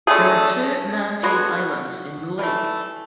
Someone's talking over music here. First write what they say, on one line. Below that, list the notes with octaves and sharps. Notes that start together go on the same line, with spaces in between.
There are two man-made islands in the lake.
D3 A3 G#4
D3 G#3 B3 F#4
E3 A3